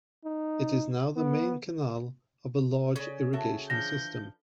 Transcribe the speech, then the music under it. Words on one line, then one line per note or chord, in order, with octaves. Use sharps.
It is now the main canal of a large irrigation system.
D#4
B3
C#3
F#4 A4 E5
E3 F3 D4 G6 A#6